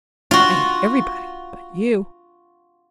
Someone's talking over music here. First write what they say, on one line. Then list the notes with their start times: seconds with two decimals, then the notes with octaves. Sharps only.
I hate everybody--but you!
0.31 F4 F#4